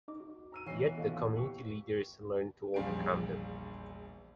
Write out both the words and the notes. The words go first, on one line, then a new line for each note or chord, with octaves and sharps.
Yet, the community leaders learned to overcome them.
D#4 D#5 D6
F#4
A#5 E6 D#7
B2 E3 F#4 C#5 C7
D#2 A#2 A4 D#5 F5
G4 C#6
E1 A#1 G3 F5 G#5 D7